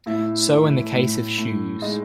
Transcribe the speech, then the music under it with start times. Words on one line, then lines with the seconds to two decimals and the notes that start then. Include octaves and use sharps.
So in the case of shoes.
0.06 A2 E4 E5
0.50 A2
0.95 A2
1.38 A2
1.82 G#3 D#4 D#5